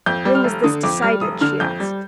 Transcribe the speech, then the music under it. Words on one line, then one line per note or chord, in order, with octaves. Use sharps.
"When was this decided?" she asked.
F2 G6
G3
F6
F1
D3 D#6
F2 D6
G3 F6
F1 D#6
D3 F6
F2 G6
G3